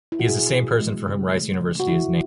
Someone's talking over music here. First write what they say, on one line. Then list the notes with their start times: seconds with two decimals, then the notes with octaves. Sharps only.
He is the same person for whom Rice University is named.
0.12 E4
0.19 F#4
0.27 B2 G#4
0.53 B2
0.81 G#3
1.07 C#3
1.34 A3
1.61 C#3
1.80 F#4
1.88 D3 E4